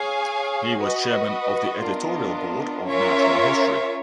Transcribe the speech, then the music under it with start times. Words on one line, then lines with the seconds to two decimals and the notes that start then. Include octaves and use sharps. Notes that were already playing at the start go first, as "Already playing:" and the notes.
He was chairman of the editorial board of "National History".
Already playing: G#4 C#5 F5 G#5
0.78 F#4 B4 D#5
1.82 B3 D4 F4 A#4 D#5
2.87 C#4 F4 A#4 C#5 E5